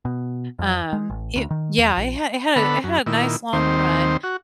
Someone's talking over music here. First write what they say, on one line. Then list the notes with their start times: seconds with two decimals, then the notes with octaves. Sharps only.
um, it, yeah, it had it had it had a nice long run,
0.05 B2
0.59 F2
0.93 G#3
1.10 A1
1.36 D2
1.50 D#3
1.78 E2
1.97 A#1
2.56 D3 B3 A4 B5
2.84 F#2
3.06 A#2 D#3 E4
3.53 D#2 D#3 C4 C5
4.23 F#4